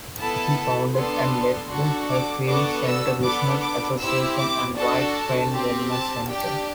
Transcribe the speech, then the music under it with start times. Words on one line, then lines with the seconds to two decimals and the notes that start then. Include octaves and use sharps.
He founded and led the Lakeview Center Business Association and White Crane Wellness Center.
0.18 B3 E4 A4 A5
0.95 B3 D4 A4 C6
1.71 D4 F#4 A4
2.10 D6
2.47 B3 D4 F#4 A4 D6
2.85 E6
3.23 B3 D4 A4 D6
3.61 D6
4.00 C4 E4 G4 E6
4.38 D6
4.76 D4 F#4 A4 A5
5.53 C4 G4
5.90 A5
6.29 D4 G4 G5